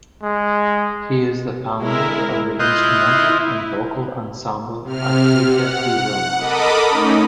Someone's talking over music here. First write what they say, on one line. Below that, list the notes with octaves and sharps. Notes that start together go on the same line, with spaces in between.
He is the founder of the instrumental and vocal ensemble Arcadia di Roma.
G#3
G#3 E4 A#4
E4 F4 D#5 C6 F#6 G6
C3 F6
F#5
A4 A#4 D#5 B5 D6 D#6
A3 C#4 D#4